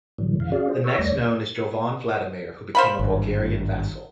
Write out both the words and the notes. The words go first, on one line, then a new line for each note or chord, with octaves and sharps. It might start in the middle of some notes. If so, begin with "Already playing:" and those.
The next known is Jovan Vladimir, who became a Bulgarian vassal.
A2 D3 E3 F#3 G3
F2 C#3 E3 F5
C#4 F#4 G#4 D5 F5
G#4 C5
B4 C#5 C#6 E6
E2 G3 A3 C#5 D5 A#6
C5 F5 B5
G#1 G2